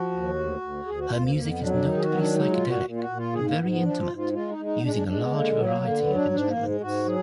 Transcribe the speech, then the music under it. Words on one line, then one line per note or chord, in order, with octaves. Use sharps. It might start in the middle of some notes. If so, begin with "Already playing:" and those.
Her music is notably psychedelic and very intimate using a large variety of instruments.
Already playing: F3 F#4
D#2
D2
D2
D2 G#4
F#4
D2 F4
A#3
F2 A#3
B3
F#3 D4
B3
D4
D#3 D#4
G#4
F#4
F#3 B3
D4
G#3 D#4
F4
A#2
F#4
A#2
F4
F#4
A#2
F4
G#2 G#4
A#3
G#2 B3
B3
F3 D4
F4
G#2
F4
G#3 F4
D#4
G#3
D#4
B3
G#3 D4
D4
G#3 D4
B3
D3 A#3
F#3 B3
A#3
D3 A#3
B3
F#3
D4
G#2 D4
A#3
G#2
G#3
G#2 F#4
F#3 G#4